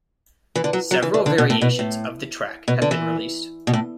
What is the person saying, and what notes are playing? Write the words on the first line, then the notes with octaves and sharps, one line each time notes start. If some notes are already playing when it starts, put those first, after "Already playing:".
Several variations of the track have been released.
E3
D3
F#3
F#3
E3
D3
D3
B2
A2
B2
A2
B2
D3
E3
B2
A2